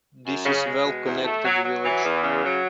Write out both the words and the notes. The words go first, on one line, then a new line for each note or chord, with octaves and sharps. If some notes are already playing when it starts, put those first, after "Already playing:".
This is a well-connected village.
F#2
C#3
G#3
B2
E2
A3
F#3
F#3
E3
E2
C#3
F#3